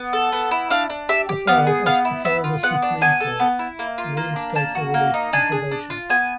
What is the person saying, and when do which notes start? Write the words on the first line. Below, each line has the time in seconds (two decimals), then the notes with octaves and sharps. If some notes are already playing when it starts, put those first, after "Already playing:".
Lafave asked the Florida Supreme Court to reinstate her release from probation.
Already playing: B3
0.13 A4
0.33 B3
0.51 E4
0.70 D4 F5
0.90 D4
1.09 G4 E5
1.29 G4
1.47 B3 F5
1.67 G#4
1.86 B3 F5
2.05 E4
2.25 B3 E5
2.44 F4
2.63 B3 F#5
2.82 D4
3.01 B3 G#5
3.21 A4
3.40 B3
3.59 E4
3.79 A#3
3.98 F4
4.17 A#3
4.36 D4
4.55 A#3 A5
4.75 F#4
4.94 A#3
5.14 D#4
5.33 D4 G#5
5.52 G#4
5.71 D4
5.90 F4
6.10 B3 G#5